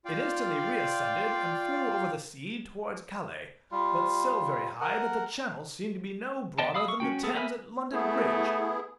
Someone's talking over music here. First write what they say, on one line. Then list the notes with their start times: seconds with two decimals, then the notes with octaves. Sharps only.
It instantly reascended and flew over the sea towards Calais, but so very high that the Channel seemed to be no broader than the Thames at London Bridge.
0.05 F4 D5 F5 G5
3.72 G3 F4
4.80 A#4 F#5
6.58 B3 D5 D#5 G5 A5
6.74 F5 B5 D#6 E6
6.88 C#6
7.00 C#4 D4 F#4 G5
7.23 B3 G#4 A4
7.35 A4 A#4 E5 G#5 B5
7.93 A3 B3 E4 G#4